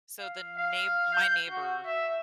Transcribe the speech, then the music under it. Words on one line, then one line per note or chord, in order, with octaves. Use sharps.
so, the neigh my neighbor
F5
F5
G6
F#4
E5